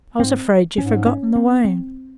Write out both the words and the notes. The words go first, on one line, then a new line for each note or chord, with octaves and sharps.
I was afraid you'd forgotten the way.'
G#2 C4
G#2 C#4
C#4
C4
C4